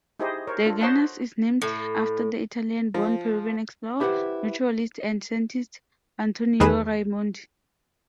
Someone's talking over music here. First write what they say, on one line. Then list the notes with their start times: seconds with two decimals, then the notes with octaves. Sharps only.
The genus is named after the Italian-born Peruvian explorer, naturalist, and scientist, Antonio Raimondi.
0.20 D#4 E4 G4 G#4 C5 D#5
0.47 A#4 C5 C#5
0.65 D4 F4 A4
0.81 C5 C#5 D#5 F#5 A5 C6
1.62 A2
2.94 F3
4.00 E4 G4 A4 B4 C5 F#5
6.60 E2 D#3 G3 G#4 B4 E7